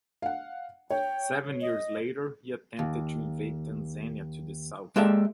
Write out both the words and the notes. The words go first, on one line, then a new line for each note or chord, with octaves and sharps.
Seven years later he attempted to invade Tanzania to the south.
F5 F#5
C#5 G5
D#5
D#2
G#3 A#3 G4 A4 D5 E5